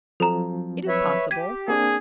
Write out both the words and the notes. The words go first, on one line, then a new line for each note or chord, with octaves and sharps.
"It is possible."
F3 F#3 C4 A4 A#5
B4 C#5 E5
G4 G#6 B6 D#7
A#3 C4 D4 G#4